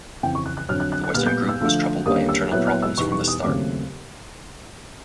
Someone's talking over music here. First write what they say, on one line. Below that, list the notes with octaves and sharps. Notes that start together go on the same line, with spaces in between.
The western group was troubled by internal problems from the start.
F2 C#3 E3 G5
C#6
F#6
F#6
F2 D3 F#3 F6
F#6
F#6
F#6
A#2 G3 B3 F6
G6
E6
D3 F3 A3
D#2 D3 G3 A#3 C#4 D#6
E6
A#2 F#3 B3 E4 F#6
F6
E6
E2 B2 G3 B3 D#4 C#6
C#6
D#6
D#2 C#3 F#3 A3 C4 D6